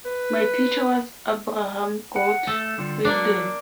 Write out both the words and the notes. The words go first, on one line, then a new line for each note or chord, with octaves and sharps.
My teacher was Abraham Goldfaden.
B4
F#5
A3 A4
D3 G3 F4
F#3 A#3 D4